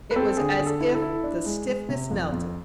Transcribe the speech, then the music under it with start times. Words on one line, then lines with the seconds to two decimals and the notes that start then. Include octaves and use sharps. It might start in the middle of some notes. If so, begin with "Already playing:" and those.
It was as if the stiffness melted.
0.11 B4
0.16 C4 A4
0.37 D3 G#4
0.59 D3
0.66 A4
0.80 E4
0.95 A4
1.02 E4
1.24 D4
1.46 G#3
1.68 G#3
1.89 C3
2.11 F2
2.32 F2